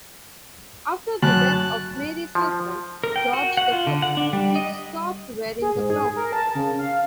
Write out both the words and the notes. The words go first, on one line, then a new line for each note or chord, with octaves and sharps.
After the death of Mary's husband, George the Fifth, she stopped wearing the crown.
F#2 A5 F#6
F3
A#4
G5
F#4
F#5
F4
D3
F#5
D4
G3
D#5
G#4
G#2
G#4
A#4
A5
C#3
F5